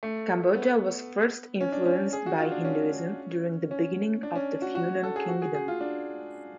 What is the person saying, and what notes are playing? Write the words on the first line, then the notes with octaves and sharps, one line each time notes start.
Cambodia was first influenced by Hinduism during the beginning of the Funan kingdom.
A3
B3
C#4
D4
C#4
G#4
F#4
F4
D4
C#4
C#4
D4
C#4
F#4
F#4
A4
G#4
F#4
G#4
G#4
F4
D4